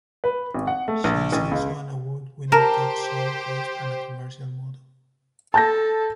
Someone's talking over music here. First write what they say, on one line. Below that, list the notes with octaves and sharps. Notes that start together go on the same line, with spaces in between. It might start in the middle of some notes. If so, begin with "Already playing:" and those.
She is also an award winning talk show host and a commercial model.
B4
G#1
F#5
A3
A#1
A1
C#2
G4 A#4 C5 A5 A#5
A4 A5 G6 A#6